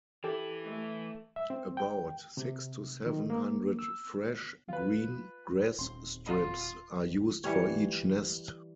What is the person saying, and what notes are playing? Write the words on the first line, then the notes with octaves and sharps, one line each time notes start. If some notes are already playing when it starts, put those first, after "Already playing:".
About six to seven hundred fresh, green grass strips are used for each nest.
E3 E4 G4 A4
A3
E5
C4
G5
C3
D#3
A#3
E6
F4 B4
D#1 C4 C6
F4
E3 G3 C#5